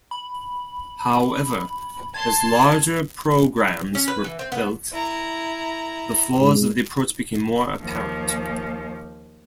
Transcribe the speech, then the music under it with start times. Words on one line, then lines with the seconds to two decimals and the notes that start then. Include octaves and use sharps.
However, as larger programs were built, the flaws of the approach became more apparent.
0.11 B5
2.14 A5 C6 G#6
3.95 C#4
4.08 B4
4.24 E3
4.39 C4
4.52 B3
4.93 E4 A#5
6.40 G#2
7.82 D#2 F3